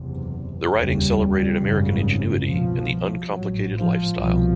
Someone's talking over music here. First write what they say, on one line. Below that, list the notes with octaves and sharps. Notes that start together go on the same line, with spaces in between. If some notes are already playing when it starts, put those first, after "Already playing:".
The writing celebrated American ingenuity and the uncomplicated lifestyle.
Already playing: F#1 E2 C3
F1 D#2 C#3 G3
G#1 F#2 C#3
C2 B2 F3
A1 G#2 F#3
F3
C2 B2 F3